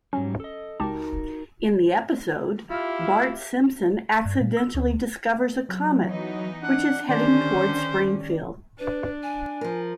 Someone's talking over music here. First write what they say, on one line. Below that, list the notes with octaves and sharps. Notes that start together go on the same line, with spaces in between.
In the episode, Bart Simpson accidentally discovers a comet, which is heading towards Springfield.
G#2 F#3 G3 C#4
A4 D#5
C#2 D#4 F#4 G4 A#4 A5
E4 F4 G4 E5 F5 F6
G2
A#2
E6
D2
F#3
E3 B3 D#4
D4 F#5
D3 D#3 C#4 G4 C5 D5
D4 B4
G#5
F3 A#4